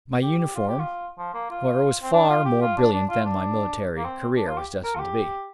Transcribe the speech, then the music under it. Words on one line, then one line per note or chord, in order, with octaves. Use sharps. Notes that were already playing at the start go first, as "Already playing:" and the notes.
My uniform, however, was far more brilliant than my military career was destined to be.
G4
G4
F4
G4
F4
F3
A#3
F4
C4
D4
F4
G4
F4
D4
D4
F4
D4
A#3
C4
D4
F4
G4
A#4
F4
G4